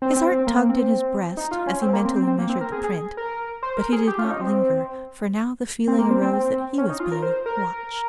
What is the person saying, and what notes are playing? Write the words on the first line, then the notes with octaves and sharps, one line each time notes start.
His heart tugged in his breast as he mentally measured the print, but he did not linger, for now the feeling arose that he was being watched.
C4
C4
C4
A#3
C4
D#4
F4
C#4
C4
A#3
C4
C4
C4
A#3
C4
A#4
G#4
G#4
A#4
C5
A#4
G#4
G4
F4
C#4
D#4
C4
C4
A#3
C4
C4
C4
C#4
D#4
F4
A#4
C5
A#4